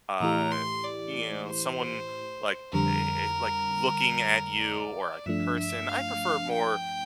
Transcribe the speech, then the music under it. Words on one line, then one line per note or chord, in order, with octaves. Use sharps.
uh, you know, someone, like, a a like, looking at you or, like, a person- I prefer more
A2 E3 A3 E4 G4 A#5
C6
D5
C5
F2 D3 G3 A#4
D5
G2 F3 A3 D4 E5
E5
F5
G5